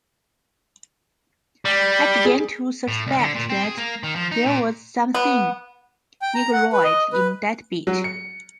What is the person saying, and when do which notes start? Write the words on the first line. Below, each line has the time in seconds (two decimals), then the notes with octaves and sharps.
I began to suspect that there was something Negroid in that beat.
1.65 G3
2.25 G#4
2.88 A2
3.07 C2
3.19 D3
3.35 A#2
3.50 C4
3.63 G#4
3.78 A#3
4.03 D#3
4.15 F3
4.31 D#4
4.46 A#2
5.14 B3
6.22 G5
6.35 A#5
6.53 F#5
6.73 B4
6.84 D#5
7.13 B4
7.87 F#3
8.04 C#7